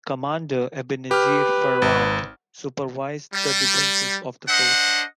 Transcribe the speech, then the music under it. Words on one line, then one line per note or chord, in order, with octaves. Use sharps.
Commander Ebeneezer Farrand supervised the defenses of the fort.
G4 B4 F6
G#1
G3
D4 C5 D#5 F#5